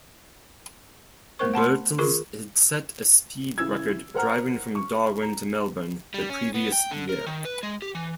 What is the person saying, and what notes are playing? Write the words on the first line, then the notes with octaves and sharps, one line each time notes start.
Birtles had set a speed record driving from Darwin to Melbourne the previous year.
A3 B3 A#4 C5 C#6
F#5 A5 B5 C6
D#3 F4 G#4 A#4 C#6 D6
C#3 E3 E6 G#6
A#4 C5 F#5 A#5 F6
C#6
A#5
G3
C#4
B3
G5
D3
A#4
D#3
B4
G#3
G4
E3